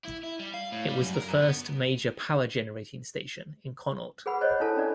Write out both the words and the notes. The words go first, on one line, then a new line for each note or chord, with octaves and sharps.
It was the first major power generating station in Connaught.
E4
E4
G3
F5
A2
G3
F#2
A#4
F#2
B3
G#4 B4 F#5 B5 E6
C5 C#5 D#5
D4 E4 A4 A5
C#4 D4 D5